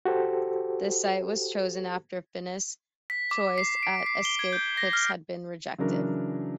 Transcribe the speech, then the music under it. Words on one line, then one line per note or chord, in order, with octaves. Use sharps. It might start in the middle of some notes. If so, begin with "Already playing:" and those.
The site was chosen after Finniss's choice at Escape Cliffs had been rejected.
F#4 G4 A4 C5
B6
D6
C7
D7
C7
G7
G#6
G6
A#6
F6
C#3 E3 F#3 D4 A#4